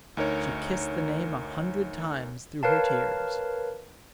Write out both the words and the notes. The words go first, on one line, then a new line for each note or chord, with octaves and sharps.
She kissed the name a hundred times through her tears.
D2 D#4 A#4 C#5
A#4 B4 C#5 F5 A5